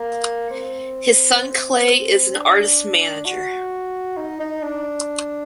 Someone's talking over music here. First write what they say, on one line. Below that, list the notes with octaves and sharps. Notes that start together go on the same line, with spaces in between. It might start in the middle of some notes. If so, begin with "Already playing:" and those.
His son Clay is an artist manager.
Already playing: A#3
C4
C4
D4
F#4
D#4
D#4
D4